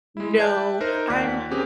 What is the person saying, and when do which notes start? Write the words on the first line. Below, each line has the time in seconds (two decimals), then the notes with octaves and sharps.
No, I'm
0.17 G#3 E4
0.38 B4 D5 E5 A5 F#6 G6
0.80 D#4 A#4 C5
1.10 D#2 F4 D5 F#5 F#6 B6
1.50 C4 C#4 G4 G#4 A#4